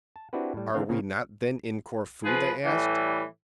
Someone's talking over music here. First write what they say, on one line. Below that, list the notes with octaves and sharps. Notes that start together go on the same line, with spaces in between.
"Are we not, then, in Corfu?" they asked.
A5
C4 D4 E4 F#4 G4 B4
A2 G3
D3 E3 C4 D4 F5
A2 C#3 A#3 C4
F3 G#4 B4
A2 E3 G3